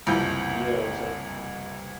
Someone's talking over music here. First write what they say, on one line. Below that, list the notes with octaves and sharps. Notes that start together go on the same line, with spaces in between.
Yeah, exactly.
F#1 C2 F2 E3 F3 G6